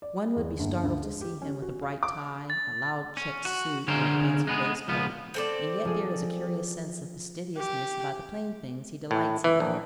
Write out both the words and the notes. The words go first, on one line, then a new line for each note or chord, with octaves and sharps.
One would be startled to see him with a bright tie, a loud checked suit, or a fancy waistcoat, and yet there is a curious sense of fastidiousness about the plain things he delights in.
D5
E2
G1
D2
G#3
G4
C#4
F#4
F5
D6
A6
C#4
F#4
D3 C#4 G#4 A#4 C5
G#3 B3 G#4
C#2 F3 B3
C4 A4 D5
F3 G#4
G4
A2
E3
A#1